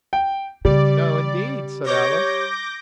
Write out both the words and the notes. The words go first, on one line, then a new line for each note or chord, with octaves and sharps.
'No, indeed,' said Alice.
G5
C#3 G3 D5
C#5 D6 G6 A#6